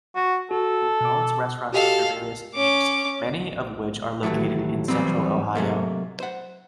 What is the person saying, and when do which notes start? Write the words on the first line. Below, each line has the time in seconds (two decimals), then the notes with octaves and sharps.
It owns restaurants under various names, many of which are located in Central Ohio.
0.15 F#4
0.51 F#4 A4
1.01 B2 D6
1.73 F#4 G4 A4 D#5 F5
2.55 C#4 D6
4.23 D#2 A2 E3 F#3 A3
4.88 E3 F#3 G3 B3 C4
5.55 C3 F#3 A3 A#3
6.20 C5 F#5